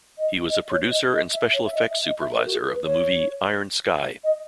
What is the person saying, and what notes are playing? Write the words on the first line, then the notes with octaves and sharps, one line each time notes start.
He was a producer and special-effects supervisor of the movie "Iron Sky".
D#5
D#5
C#5
D#5
D#5
E5
C#5
E5
D#5
E5
D#5
E5
A#4
F#4
G#4
B4
C#5
D#5